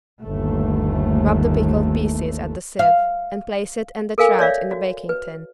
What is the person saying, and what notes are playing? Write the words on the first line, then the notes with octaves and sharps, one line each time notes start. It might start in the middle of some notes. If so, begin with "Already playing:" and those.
Rub the pickled pieces at the sieve and place it and the trout in a baking-tin.
G1 D#2 A3
F5
A4 A#4 F5 G#5
C#5 D5 E5 F5
F#4
B4